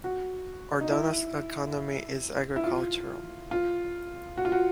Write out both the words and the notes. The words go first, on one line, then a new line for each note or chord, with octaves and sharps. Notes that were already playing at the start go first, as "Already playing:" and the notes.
Ordona's economy is agricultural.
F#4
D#4
E4
E4
F4
F4
F#4
F4
F#4